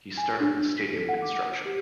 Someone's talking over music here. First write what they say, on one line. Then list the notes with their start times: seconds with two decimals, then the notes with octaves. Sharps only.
He started the stadium construction.
0.18 G#5
0.40 D4
0.78 B6
0.94 A4
1.09 F#5
1.22 D6
1.54 D7
1.66 G4